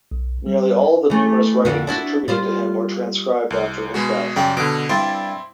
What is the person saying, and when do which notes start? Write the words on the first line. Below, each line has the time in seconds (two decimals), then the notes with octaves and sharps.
Nearly all of the numerous writings attributed to him were transcribed after his death.
0.11 B1
0.46 G3
1.10 E3 A3
1.65 F2 D3
1.87 D4 E4 F#4
2.28 G3 F4 C5
3.50 C2
3.94 B2 G#3 F#4
4.36 F#2 C#3 G3 G4 F5
4.57 B2 D3 D6
4.89 G2 G3 C4 E4 D5 C6